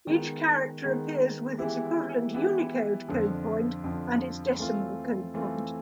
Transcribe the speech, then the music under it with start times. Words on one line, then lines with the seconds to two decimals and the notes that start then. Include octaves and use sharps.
Each character appears with its equivalent Unicode code-point and its decimal code-point.
0.07 D#3 G#3 B3
0.82 D#3 G#3 B3
1.58 E3 G#3 B3 E4 G4
2.33 E3 G#3 B3 E4 G4
3.08 F2 D3 F3
3.84 F2 D3 F3
4.59 E3 A3 C4 F4
5.34 E3 A3 C4 F4